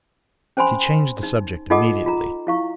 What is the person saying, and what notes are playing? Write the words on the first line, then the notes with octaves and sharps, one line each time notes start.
She changed the subject immediately.
C#4 C5 G#5 B5 C6
D#4
D#4 F4 A4 D#5 F#5 D6
F4 A#5
E4 F5 C#6